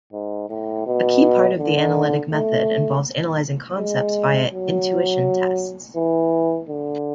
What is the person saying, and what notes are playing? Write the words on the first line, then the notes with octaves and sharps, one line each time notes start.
A key part of the analytic method involves analyzing concepts via "intuition tests".
G#2
A2
B2
D3
A3
G#3
F#3
E3
D3